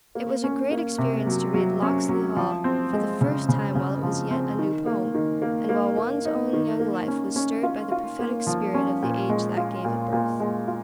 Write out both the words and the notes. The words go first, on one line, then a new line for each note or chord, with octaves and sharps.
It was a great experience to read "Locksley Hall" for the first time while it was yet a new poem, and while one's own young life was stirred by the prophetic spirit of the age that gave it birth.
A#3
C#4
A#3
C3
F#3
F#3
C#4
F#3
F3
C4
G#3
C#3
C#3
C#3
F3
C4
D#3
A#3
D#3
A#3
A#3
A#3
D#4
D#3
A#3
C#4
C#4
F4
F4
A#3
F3
C#4
A#2
G#3
F4
A#2
A#2
G#3
F4